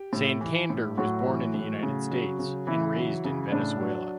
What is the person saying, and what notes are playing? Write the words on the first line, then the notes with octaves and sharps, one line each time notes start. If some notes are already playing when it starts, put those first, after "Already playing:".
Santander was born in the United States and raised in Venezuela.
Already playing: G4
A2
E3
A2
A2 F#3 F#4
E3
A2
C#3
F#3
C#3
C#3 E3 E4
F#3
C#3
A2 D4
F#3